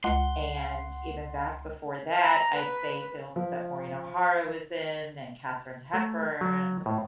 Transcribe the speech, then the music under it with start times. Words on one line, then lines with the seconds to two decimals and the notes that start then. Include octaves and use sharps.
and even back before that, I'd say films that Maureen O'Hara was in and Katharine Hepburn.
0.04 C#2 F#5 C6
2.21 A#5
2.54 B4
3.36 F3
5.93 A3
6.41 F#3
6.86 A2